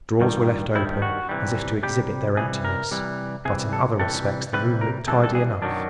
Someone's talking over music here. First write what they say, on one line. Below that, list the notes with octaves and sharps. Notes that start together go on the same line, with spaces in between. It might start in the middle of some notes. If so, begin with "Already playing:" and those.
Drawers were left open, as if to exhibit their emptiness, but in other respects the room looked tidy enough.
G2 D#3 G3
G2 D#3 G3 E4
F#4
C3 E3 G3
C3 E3 G3 G4
C3 E3 G3 G#4
A#4
C3 E3 G3
C3 E3 G3 G#4
A4
C3 E3 G3 A4
C3 E3 G3 B4
A#4
C3 E3 G3 A4
A4
G#4
F#2 D#3 F#3 D4